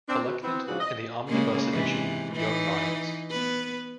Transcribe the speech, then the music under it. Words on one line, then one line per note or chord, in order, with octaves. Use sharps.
Collected in the omnibus edition "Young Miles".
C4 D4
B2
B3 C4 E4
G#2 C#3 F3 D4 F#4 G#4
D#5
C#3 G#3 A#3
G#2 C3 E3
E3 D#4
B3 B4